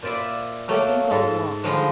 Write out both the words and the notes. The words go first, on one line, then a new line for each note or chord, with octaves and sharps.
"I think I'll walk."
A#2 C5 D5 E5 B5
F#3 A3 A#3
G#2 A4
D3 F3 G3 G#3 D#4